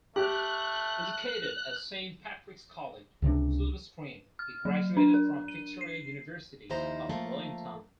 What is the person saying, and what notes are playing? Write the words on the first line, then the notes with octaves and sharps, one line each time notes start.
Educated at Saint Patrick's College, Silverstream, he graduated from Victoria University of Wellington.
A3 G4 F#6
C#2 C3 F3 D4
F6
F#3
D4
A#4
D#7
C7
D#2 F3 D#4 E4 C5 A#5
F3 A3 A#3 A4